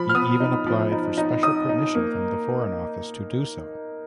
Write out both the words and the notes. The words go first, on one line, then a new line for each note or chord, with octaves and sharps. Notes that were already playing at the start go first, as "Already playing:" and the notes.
He even applied for special permission from the Foreign Office to do so.
Already playing: F3 B5
F6
B3 D#6
D#4
F3
D#4
D#4
D#4 D#6
D#4
A#3